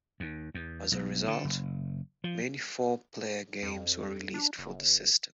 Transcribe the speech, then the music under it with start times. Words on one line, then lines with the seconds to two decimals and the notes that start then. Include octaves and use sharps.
As a result, many four-player games were released for the system.
0.20 D#2
0.54 E2
0.92 B1
1.28 D3
1.44 F#1
2.24 F3
3.63 F2
4.34 D4
4.59 F#1